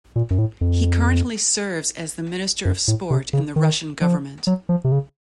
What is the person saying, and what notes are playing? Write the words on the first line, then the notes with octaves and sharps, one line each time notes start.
He currently serves as the Minister of Sport in the Russian government.
A#2
F#2
A2
F2
F#2
A2
C3
C#3
D#3
F3
F#3
F3
C3
C#3